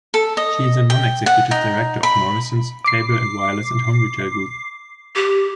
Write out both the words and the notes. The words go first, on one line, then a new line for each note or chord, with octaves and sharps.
She is a non-executive director of Morrisons, Cable and Wireless and Home Retail Group.
A4
D#5
G5
F#5
D#4
B5
D6 C7
G4